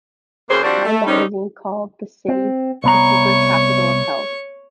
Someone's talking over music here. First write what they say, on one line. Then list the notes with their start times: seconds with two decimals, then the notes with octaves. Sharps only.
Time Magazine called the city "The secret capital of health".
0.49 F#2 C#3 A#3 G#4 C5
0.63 F3 G3 C4 D4 F#4
0.85 A3
1.06 D3 D#3 G3 C4 C#4 D#4
2.28 C4
2.84 C2 B3 C#5 A#5 C#6